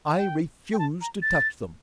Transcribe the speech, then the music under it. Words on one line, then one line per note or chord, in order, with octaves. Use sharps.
"I refuse to touch them."
G5
G5
A5
A#5
A6